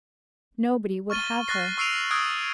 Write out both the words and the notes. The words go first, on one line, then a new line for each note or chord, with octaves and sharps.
Nobody would have her.
C#6 F6 A6 D#7 G7
C#6 F6 F#6 A6 A#6 C7
C#6 E6 C7 D7 D#7 F7
D#6 E6 F#6 G#6 D7